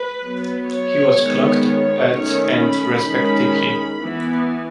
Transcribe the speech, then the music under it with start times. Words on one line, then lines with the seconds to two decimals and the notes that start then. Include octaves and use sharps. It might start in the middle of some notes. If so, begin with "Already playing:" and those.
He was clocked at and respectively.
Already playing: B4
0.22 F#3 B3
0.69 C#5
1.17 D#3 G#3 B3
1.64 C#5
2.11 D#3 A3 C#4
2.58 B5
3.05 D#3 G#3 C#4
3.99 E3 B3